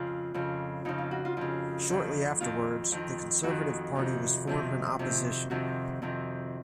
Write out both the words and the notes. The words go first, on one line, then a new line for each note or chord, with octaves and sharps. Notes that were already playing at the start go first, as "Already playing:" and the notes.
Shortly afterwards, the Conservative Party was formed in opposition.
Already playing: F2 C#3 F4
F2 C#3
F2 C#3 D#4
F4
F#4
F4
F2 C#3 F4
F2 D#3
F2 D#3 F4
F2 D#3
F2 D#3 F#4
F2 C3 D#3
F2 C3 D#3
F2 C3 D#3
F2 C3 D#3 F#4
F2 C3 D#3